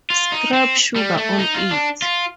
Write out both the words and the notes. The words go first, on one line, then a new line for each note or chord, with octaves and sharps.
Scrape sugar on it.
F4
D#4
C4
G3
A3
D#4
F4
D4
F4